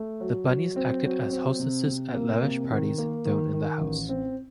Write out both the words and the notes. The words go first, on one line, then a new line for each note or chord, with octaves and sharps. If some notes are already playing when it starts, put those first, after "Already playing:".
The Bunnies acted as hostesses at lavish parties thrown in the house.
Already playing: A3
F#3
F#3
C4
F#3
C4
C3
C3
A#3
C3
D#3
A#3
D#3
D#3
A1
C4